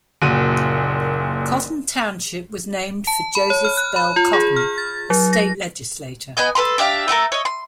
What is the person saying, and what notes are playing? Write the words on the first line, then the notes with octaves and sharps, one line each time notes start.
Cotton Township was named for Joseph Bell Cotton, a state legislator.
F#1 A#2 F#4 D#7
A5
B5
C#5
F6
F#6
B5
F4
G#4
F6
A6
F#3
A#6
B3 D#5 G#5 G6
A4 B4 A#5 C6
D4 G4 E5 F5
A3 F#4 A4 A#4
C#5 D#5
C6